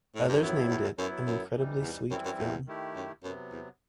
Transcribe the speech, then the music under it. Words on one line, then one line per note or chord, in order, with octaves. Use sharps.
Others named it an "incredibly sweet film".
A2
G2
F#2 A2 F#3 B3 E4
E2
E2
F#2 F#3 B3 E4
F#2
C3 E3 G3 D#4
E2
F#2 E3 G3 C4 E4
F#2
E2
D#3 A3 E4 G4
F#2
F#2 C3 F#3 B3
E2